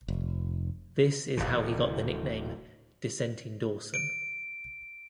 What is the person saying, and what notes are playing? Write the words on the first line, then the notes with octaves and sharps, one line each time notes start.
This is how he got the nickname "Dissenting Dawson".
F1
D1 G1 C3 E3
D7